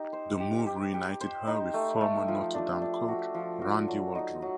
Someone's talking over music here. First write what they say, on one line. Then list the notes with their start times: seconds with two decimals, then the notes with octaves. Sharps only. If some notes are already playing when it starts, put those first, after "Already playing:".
The move reunited her with former Notre Dame coach Randy Waldrum.
Already playing: D#4 G4
0.13 C5
0.40 G4
0.66 G4
0.94 G4
1.21 C5
1.47 D#4
1.74 A3
2.01 A3
2.28 F3
2.54 D4
2.82 D4
3.08 F#4
3.34 F3
3.62 F#4
3.88 F#3
4.15 D#4
4.42 F#3